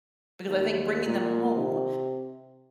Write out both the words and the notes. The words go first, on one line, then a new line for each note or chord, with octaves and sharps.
Because I think bringing them home
D#2
A#2
C3